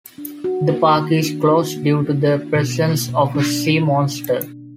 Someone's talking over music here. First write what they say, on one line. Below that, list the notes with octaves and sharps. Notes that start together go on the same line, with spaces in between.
The park is closed due to the presence of a sea monster.
D4
F#4
A#3
D#3
D4
F#4
A#3
D#3
D4
B2
A#3
B2
D4